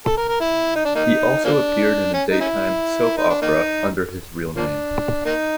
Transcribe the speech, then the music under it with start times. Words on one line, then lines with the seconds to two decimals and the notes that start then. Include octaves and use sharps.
He also appeared in a daytime soap opera under his real name.
0.06 A4
0.17 A#4
0.29 A#4
0.40 E4
0.75 D#4
0.85 D4
0.95 A#3 D#4
1.44 F3 A#3 D4
2.14 C#4
2.31 D#4
2.40 C#4 E4
3.17 D#4
3.30 D4
3.42 A#3 D#4
4.56 F3 A#3 D4
5.25 A#3 D#4